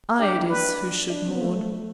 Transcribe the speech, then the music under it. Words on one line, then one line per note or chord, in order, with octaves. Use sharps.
I it is who should mourn.
D4 G4
E4
D4 B4
D4
C4
B3
A3
A3
A3